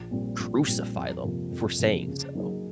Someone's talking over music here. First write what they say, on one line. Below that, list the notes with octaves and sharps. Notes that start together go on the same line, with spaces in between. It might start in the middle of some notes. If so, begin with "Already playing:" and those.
crucify them for saying so.
Already playing: A#1
A#2 G3 C4
A#1
A#2 G3 C4
F2
C3 F3 A#3
F2
C3 F3 A#3
C#3
F#3 A#3 D#4 G#4